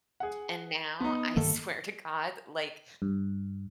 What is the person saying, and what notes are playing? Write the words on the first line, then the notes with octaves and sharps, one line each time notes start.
and now, I, swear to God, like,
G#4 F#5
B3 D#4
G2 D#3 A#3 A4
G2